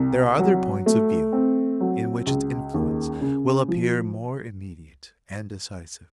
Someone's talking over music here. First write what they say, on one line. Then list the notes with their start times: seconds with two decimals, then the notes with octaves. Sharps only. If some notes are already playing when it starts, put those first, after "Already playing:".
There are other points of view, in which its influence will appear more immediate and decisive.
Already playing: C2
0.39 F#3
0.86 A3
1.33 C4
1.81 F#3
2.26 C#2
2.74 D#2
3.21 C#3
3.68 F3